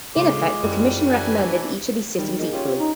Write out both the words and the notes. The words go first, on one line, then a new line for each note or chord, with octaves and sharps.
In effect, the commission recommended each of these cities equally.
A2 C#3 G#3 F4 D6
F#2 D3 E3 F3 G3
E3 D4 B4 G#5
D#3 G3
A#3 D#4 G#4
C#4 F4 G4
D#4